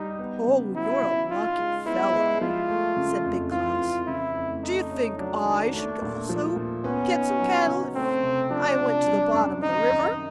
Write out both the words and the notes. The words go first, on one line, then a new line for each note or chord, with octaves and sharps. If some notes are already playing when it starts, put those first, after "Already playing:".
'Oh, you're a lucky fellow!' said Big Klaus. 'Do you think I should also get some cattle if I went to the bottom of the river?'
Already playing: G3 D#4
B3
C#3
F#3 E4
C#3
D#4 F4
G#3
B3 E4
G#3
F3 F4
A3
C#3
F2
E3 F4
F2
C#3 E4
F2
A3 D#4
C#4
F#3 D4
D#3
A3 D4
A#2
F3
A#2
B3 C#4
D#4
F#3
C#3
A3 C4
C3
F3 D4
C3
G3
F#2
D#3 D#4
F#2